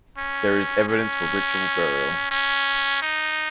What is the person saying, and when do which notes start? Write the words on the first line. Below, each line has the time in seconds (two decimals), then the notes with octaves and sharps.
There is evidence for ritual burial.
0.18 C#4
0.89 C#4
2.31 C#4
3.02 D#4